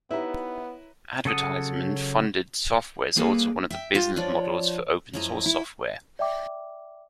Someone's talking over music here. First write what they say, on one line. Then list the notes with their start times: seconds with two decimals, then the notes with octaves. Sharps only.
Advertisement-funded software is also one of the business models for open-source software.
0.11 B3 D#4 E4 G4 B4 C#5 E5 A#5
1.25 C#3 F#3 A4 F#5 D#6
3.16 G3 A#3 G#4 A4 B4 F5
3.70 E5 G5
3.94 F4 G4
4.16 F3 D4 F4 C#5 D5
5.13 F#2 F3 E4 D#5 A#5
5.46 E4
6.19 D5 E5 G5 D6